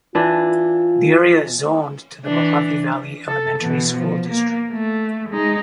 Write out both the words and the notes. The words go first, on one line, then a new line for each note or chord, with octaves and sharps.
The area is zoned to the Mohave Valley Elementary School District.
E3 D4 F4
E3 D4
A4
B2 E3
F3
A#3
A3
G#3 D#4